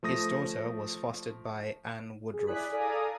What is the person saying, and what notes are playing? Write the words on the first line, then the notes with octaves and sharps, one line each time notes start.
His daughter was fostered by Anne Woodrooffe.
F3 A3 D#6 A#6
G#4
E4 D5 G#5 D#6 F#6 B6
A4 D5 F5 G#5 A#5 D#6